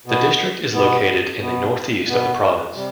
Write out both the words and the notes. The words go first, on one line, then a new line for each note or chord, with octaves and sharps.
The district is located in the northeast of the province.
B2 B3
B2 B3
B2 B3
B2 B3
C3 G3